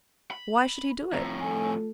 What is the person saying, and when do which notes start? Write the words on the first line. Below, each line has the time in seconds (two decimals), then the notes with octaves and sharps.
Why should he do it?
0.31 B5
1.13 F2 A2 A#5
1.41 A3 F4 A4 G#5